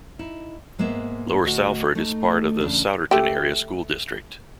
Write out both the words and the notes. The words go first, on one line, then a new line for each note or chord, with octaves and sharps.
Lower Salford is part of the Souderton Area School District.
D#4 E4
G#2 G#3 A#3 B3 E5
D2 A2 F#4 D#5 F#5
A3 D#4
E2 C#3 D4
A3 G4